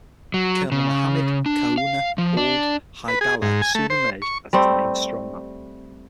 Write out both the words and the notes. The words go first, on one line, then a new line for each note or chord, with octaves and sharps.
Colonel Mohamed Khouna Ould Haidalla soon emerged as its main strongman.
F#3
C#3
D4
F5
F3
D4
B4
G#4
G#2
G#5
A3
C5
C#6
G3 A3 C4